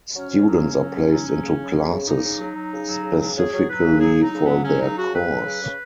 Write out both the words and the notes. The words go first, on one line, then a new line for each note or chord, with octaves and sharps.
Students are placed into classes specifically for their course.
F#3 C#4
F#3
F#3
C#3
F#3
C#3
F#3
F#3
C#3
F#3
C#3
C#3
C#3 D#4
C#3
F#3
F#3
C#3
F#3
C#3
F#3
F#3 G#4
F#3
F#3 B4
C#3
F#3 G#4
F#3
D#4
C#3
B3
F#3
F#3 C#4
C#3 D#4
C#3 F#4
F#3 B4
F#3
C#3
C#3